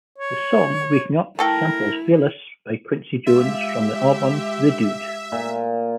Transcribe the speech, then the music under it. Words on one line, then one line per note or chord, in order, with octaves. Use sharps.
The song "Waking Up" samples "Velas" by Quincy Jones, from the album "The Dude".
C#5
A3 E4 A4 A#4 G5
G#3 F4 G4 E5
A#2